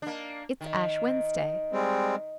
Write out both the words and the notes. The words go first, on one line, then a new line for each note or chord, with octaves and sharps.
It's Ash Wednesday.
A#3 D4
D#3
G3 G#3 C4